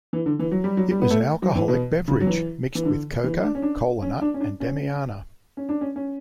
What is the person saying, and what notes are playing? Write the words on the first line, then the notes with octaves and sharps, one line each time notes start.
It was an alcoholic beverage, mixed with coca, kola nut and damiana.
E3
D3
E3
F#3
G3
F#3
G3
B3
A3
F#3
E3
B2
C#3
F#3
E3
E3
D3
E3
D4
C#4
D4
C#4
D4
C#4
D4
C#4
C#4
D4
C#4
C#4